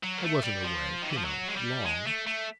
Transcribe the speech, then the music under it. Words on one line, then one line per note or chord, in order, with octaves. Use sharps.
"I wasn't away, you know, long."
F#3
A#3
A3
G3
F3
D#3
E3
F3
F#3
G#3
G3
G#3
A3
A3